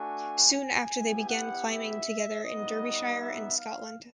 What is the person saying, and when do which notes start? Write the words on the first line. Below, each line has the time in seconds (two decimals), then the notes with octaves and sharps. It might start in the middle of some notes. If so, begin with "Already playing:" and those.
Soon after they began climbing together in Derbyshire and Scotland.
Already playing: A3 D4 F#4 G#5
0.52 G#5
0.90 B3 E4 G4
1.28 F#5
1.67 E5
2.43 G3 B3 D#4 D#5
3.20 E5
3.58 F5